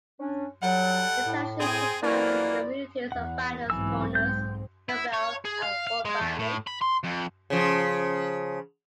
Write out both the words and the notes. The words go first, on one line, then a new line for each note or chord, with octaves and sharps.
The township comprises the communities of Badger's Corners, Nobel, and Waubamik.
C#4 D4
F#3 G3 A4 F#5
A2
C4 G#4
F2 E3 F#3 A#3 E4 D5
E2 F#5
B1 G#2 E3 C4 G#5 E6
G6
E4
C#5
G#4
F5
F5
G#3
E2
A2
B5
C6
F2
C#3 F3